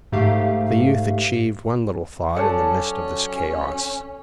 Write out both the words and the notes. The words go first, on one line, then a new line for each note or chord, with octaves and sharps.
The youth achieved one little thought in the midst of this chaos.
G#2 A3 G4 F5
F#3 C#4 A4 D5 F#5 A5